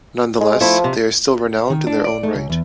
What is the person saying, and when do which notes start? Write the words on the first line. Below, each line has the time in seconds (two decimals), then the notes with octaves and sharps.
Nonetheless, they are still renowned in their own right.
0.41 G#3
0.61 F3 A3 E4
0.84 C3
1.70 D#3
1.87 D4
2.05 D5
2.23 A3
2.35 C#2
2.50 E2